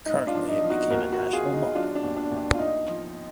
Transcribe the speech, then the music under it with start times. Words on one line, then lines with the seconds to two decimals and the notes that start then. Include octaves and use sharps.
Currently it became a national monument.
0.06 G#2 D#4
0.27 D4 F4
0.35 F3
0.49 D#4
0.63 F3
0.70 D#4 F#4
0.90 D#2 F#4 A#4
1.12 F#4 A#4
1.19 D#2
1.33 F4 G#4
1.46 F#3
1.53 D#4
1.74 F#3 D4 F4
1.95 D4
2.03 D#2
2.16 D4
2.31 D#2
2.38 D4
2.54 F4
2.59 D2 D#4
2.88 F3